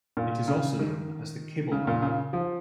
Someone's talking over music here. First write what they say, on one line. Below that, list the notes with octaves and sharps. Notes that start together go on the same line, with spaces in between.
It is also known as the Kibel number.
A#2
C#3
D#3
C#3
A#2
C#3
F3